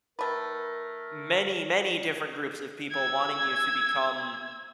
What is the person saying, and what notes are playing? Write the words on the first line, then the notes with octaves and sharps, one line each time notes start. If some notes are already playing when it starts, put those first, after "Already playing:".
many, many different groups of people wanting you to become
D#3 A3 A#4 B4
E6 G#6